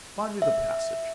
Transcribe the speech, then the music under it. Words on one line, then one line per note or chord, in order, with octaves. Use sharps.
Find me the passage.
E5